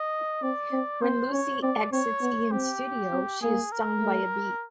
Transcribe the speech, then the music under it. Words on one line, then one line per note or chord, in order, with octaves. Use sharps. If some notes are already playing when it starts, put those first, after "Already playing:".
When Lucy exits Ian's studio, she is stung by a bee.
Already playing: D#5
C4 D5
C4
C4 C5
C#4 C#5
C4 D5
C4 C#5
B3
C4 G4
C4
A#3 G#4
A#4
A3